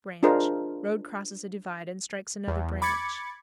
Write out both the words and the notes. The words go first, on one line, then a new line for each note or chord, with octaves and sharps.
Branch.--Road crosses a divide and strikes another branch.
D4 F4 G#4 A#4 C5 D#5
E2
B5 D6 G#6 A6 C#7